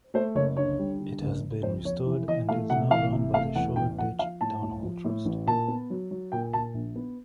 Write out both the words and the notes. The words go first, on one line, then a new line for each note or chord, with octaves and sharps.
It has been restored and is now run by the Shoreditch Town Hall Trust.
A3 C5
F#1 C#5
D3 C#5
G3
D3
F#1
F#1
F2 C5
F2 C#5
E3
E3 D#5
A3 F5
C3 F#5
E3 F5
C3
A3 F5
E2 F#5
A1 G5
F3 F#5
F3 F5
A2 A5
A2
F3
A2
A1
A#2 A5
B3
F#3
F#3
A#2 G5
A#2 A5
A#1
B3